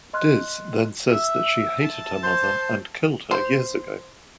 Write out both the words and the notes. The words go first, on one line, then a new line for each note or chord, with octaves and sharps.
Diz then says that she hated her mother and killed her years ago.
D#5 C6 F6 F#6
E5
A5
C5 C6 G6
C5